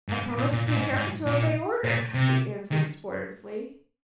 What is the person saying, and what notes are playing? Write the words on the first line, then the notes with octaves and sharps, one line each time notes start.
"I promise to be careful to obey orders," he answered, sportively.
G#2
A#2
A#2
A#2
G#2
G#2
A#2
A#2
C3
D#3